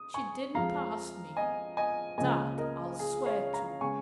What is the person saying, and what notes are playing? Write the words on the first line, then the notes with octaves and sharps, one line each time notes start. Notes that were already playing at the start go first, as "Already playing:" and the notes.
"She didn't pass me, that I'll swear to."
Already playing: D#6
G#5 C#6
F2 F3 G#3 F5 A#5
D#5 G#5
D#5 G#5
C#2 C#3 F3 A#3 D#5 G#5
A#4 D#5
G#4
C#5 F5
F5 A#5
C#3 G#3 G#5 C#6